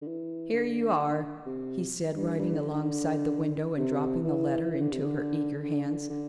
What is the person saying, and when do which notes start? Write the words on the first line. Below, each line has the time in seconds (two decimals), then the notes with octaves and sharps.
"Here you are," he said, riding alongside the window and dropping the letter into her eager hands.
0.01 D3
0.07 E3
0.53 D3
1.46 C3
2.16 G2
2.38 G2
2.54 D3
2.70 D3
3.77 C3
4.24 E3
4.70 E3
4.81 D3
4.92 C3
5.03 D3
5.63 D3
6.09 D3